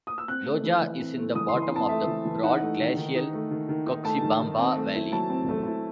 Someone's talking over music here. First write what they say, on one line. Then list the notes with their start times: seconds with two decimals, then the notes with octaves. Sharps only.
Loja is in the bottom of the broad glacial Cuxibamba valley.
0.07 D#6
0.18 E6
0.28 C4 F#6
0.46 A3
0.64 E3
0.82 E3
1.00 C4
1.18 A3
1.35 E3 D#6
1.48 C6
1.53 E3
1.62 C6
1.72 C4 A5
1.89 A3 E5
2.08 E3
2.25 E3
2.43 D#4 F#5
2.62 A3
2.80 D#3
2.97 D#3
3.15 D#4
3.33 A3
3.51 D#3
3.69 D#3
3.87 D#4
4.05 A3 A5
4.22 D#3
4.41 D#3
4.58 C4
4.76 A3
4.95 E4
5.12 F#3 A5
5.30 C4
5.48 A3
5.66 E4